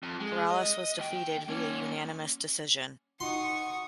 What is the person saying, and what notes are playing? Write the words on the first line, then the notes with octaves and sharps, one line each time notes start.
Corrales was defeated via unanimous decision.
F2
G#3
D#5
D#2 G5
A#3 C#4
D#4 F#4 F#5 C6 C#6 D#6